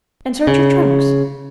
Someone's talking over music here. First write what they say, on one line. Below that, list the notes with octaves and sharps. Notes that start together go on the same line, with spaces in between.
"And search her trunks?"
C#3